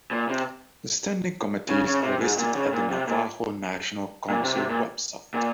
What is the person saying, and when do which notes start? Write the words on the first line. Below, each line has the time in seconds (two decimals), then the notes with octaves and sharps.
The standing committees are listed at the Navajo Nation Council website.
0.11 A#2
0.29 C3
1.69 C#3
1.86 C#3
2.03 C3
2.20 G#2
2.38 A#2
2.55 C#3
2.73 A#2
2.90 C3
3.07 A#2
4.30 A#2
4.43 C3
4.55 C3
4.69 A#2
5.34 A#2